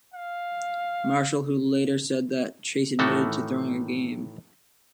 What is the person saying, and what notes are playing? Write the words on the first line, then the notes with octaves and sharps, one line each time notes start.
Marshall, who later said that Chase admitted to throwing a game.
F5
A2 D#3 E3 A3 F#4 A4